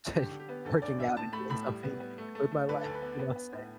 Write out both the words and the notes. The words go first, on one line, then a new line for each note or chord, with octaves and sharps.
to working out and doing something with my life, you know what I'm saying,
D3 G4
D3
G4
B3
D2 A4
D2 D5
D2 E5
A2 A5
A3 B5
A2 B5
G3
B3
B3
A3
A3
A3
D3 B4
D2 A4
B4
B3
B3
B3
A2